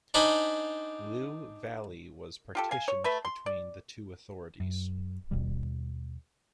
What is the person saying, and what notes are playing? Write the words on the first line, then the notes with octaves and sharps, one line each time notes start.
Lliw Valley was partitioned between the two authorities.
D4 D#4 C5 G#5 A#5 B5
F4 G4 A4
F5 G#5
C#5
A3 B4 E5
C6
D5
F#2
D#2 B2 G3